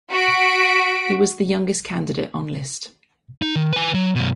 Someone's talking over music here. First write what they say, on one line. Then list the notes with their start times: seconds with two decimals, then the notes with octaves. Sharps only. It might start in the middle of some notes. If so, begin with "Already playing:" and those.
He was the youngest candidate on list.
0.11 F#4 B6 D7
3.42 D#4
3.56 D#3
3.72 B4 G#5
3.94 F#3
4.15 F#2 B2